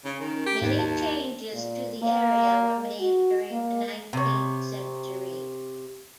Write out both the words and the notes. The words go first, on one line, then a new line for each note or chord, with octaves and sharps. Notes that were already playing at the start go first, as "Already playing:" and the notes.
Many changes to the area were made during the nineteenth century.
C#3 C#4
D#3
G4
D#2 G#2
A5
A#2
A#3
F#4
A#3
C3 C#5